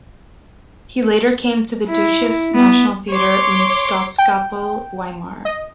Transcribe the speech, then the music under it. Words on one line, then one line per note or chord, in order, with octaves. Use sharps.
He later came to the Deutsches Nationaltheater und Staatskapelle Weimar.
E4
B3
C#5 C6 D6
G5
D#5